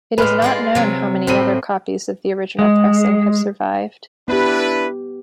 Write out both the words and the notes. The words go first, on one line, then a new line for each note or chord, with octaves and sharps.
It is not known how many other copies of the original pressing have survived.
A2 G#3 B4 F6
G#3 F4 D5
C3 F#3
A2 A3 C4 B5 D#7
G#3
B3 D4 E4 G4 B4